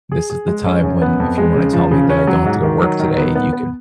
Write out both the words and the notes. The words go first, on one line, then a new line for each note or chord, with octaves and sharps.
this is the time when if you wanna tell me that I don't have to go to work today, you could"
G#4
G#4
G#3
C#4
F#2
B3
F2
G#3
C#3
F3
C#3
C#4
F#3
G#2
D#3
F#3
D#3
B3
B3
B3